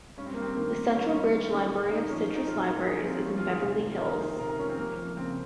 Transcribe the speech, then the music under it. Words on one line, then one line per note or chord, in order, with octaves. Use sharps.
The Central Ridge Library of Citrus Libraries is in Beverly Hills.
G2 C#4
C4
G2 A#3
C4
D#3 A#3
D#3
G2 C#4
G2 C#4
D#3 C#4
D#3 C#4
A#2
A#2 D#4
F3 C#4
F3
D#4
A#2 F4
A#2
F3 G#4
F3 C4
F2 C#4
F4
D#3
G#4
C3
F2
F2 A#4
D#3 C5
C3 A#4
A#4
F2 C#4
C4
F2 A#3
F3 A#3
C#3 C4